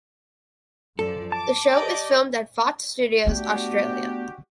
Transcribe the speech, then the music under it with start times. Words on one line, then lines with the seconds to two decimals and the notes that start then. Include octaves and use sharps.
The show is filmed at Fox Studios Australia.
0.99 F#2 F3 A4 D5
1.32 A5 D6
1.73 G4 D5 D#5
3.26 A3 B3 D4 F#4 G4